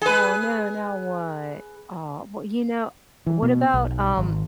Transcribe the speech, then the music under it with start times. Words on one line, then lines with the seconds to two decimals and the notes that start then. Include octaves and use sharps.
Oh no, now what? Aw, well, you know, what about, um,
0.02 G#4 B4
3.27 E3
3.42 B2
3.74 B1
4.17 G#1